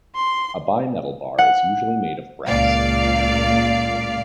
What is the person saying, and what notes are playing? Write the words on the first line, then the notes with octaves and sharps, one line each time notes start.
A bimetal bar is usually made of brass and iron.
C6
F#5
C#2 A#2 D5 F5